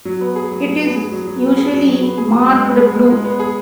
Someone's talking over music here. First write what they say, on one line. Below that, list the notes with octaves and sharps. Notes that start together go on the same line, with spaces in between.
It is usually marked blue.
F#3
B3
G#4
F#3
F#3
B3
G#4
F#3
F#3
B3
G#4
F#3
F#3
B3
G#4
F#3
G#3
B3
G#4
G#3
G#3
B3
G#4